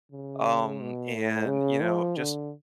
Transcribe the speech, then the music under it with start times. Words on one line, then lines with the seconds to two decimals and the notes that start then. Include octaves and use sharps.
um, and, you know, just
0.12 C#3
0.81 B2
1.15 A2
1.48 C#3
1.82 F3
2.17 D3